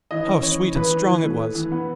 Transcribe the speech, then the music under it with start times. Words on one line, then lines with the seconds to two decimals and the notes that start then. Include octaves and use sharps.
How sweet and strong it was!
0.11 E3 D#5
0.27 C#4
0.43 E3 C#5
0.59 E3
0.75 E3 B4
0.91 E3
1.07 E3
1.23 A3
1.40 E3
1.55 E3
1.72 B3